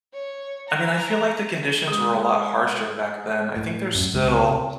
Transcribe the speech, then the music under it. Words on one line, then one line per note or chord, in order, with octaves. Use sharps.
I mean, I feel like the conditions were a lot harsher back then. I think there's still,
C#5
A#5
G#3 D#6
A2
F#2
C#2
C3